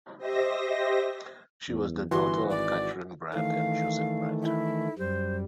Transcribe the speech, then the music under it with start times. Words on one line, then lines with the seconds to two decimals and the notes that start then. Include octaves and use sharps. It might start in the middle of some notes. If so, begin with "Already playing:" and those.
She was the daughter of Catharine Brant and Joseph Brant.
0.18 G4 C5 D#5 E5 A#6
1.69 E2
2.11 G1 E3 F#4 C6
2.50 G#1 D5
3.34 D#3 E3 A3 F5
4.43 E4
4.99 F#2 G3 C5